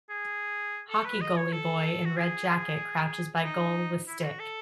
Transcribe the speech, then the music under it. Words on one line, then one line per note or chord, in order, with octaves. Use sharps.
Hockey goalie boy in red jacket crouches by goal, with stick.
G#4
A4
B4
D#5
C#5
A4
F#4
G#4
D#4
E4
E4
F#4
A4